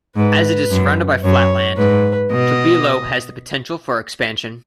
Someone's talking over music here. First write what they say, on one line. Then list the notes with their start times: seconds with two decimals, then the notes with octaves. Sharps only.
As it is surrounded by flat land, Tobelo has the potential for expansion.
0.16 G#2 B4
0.71 F#2
1.24 F#2 C#5
1.77 G#2 B4
2.31 B2 D#5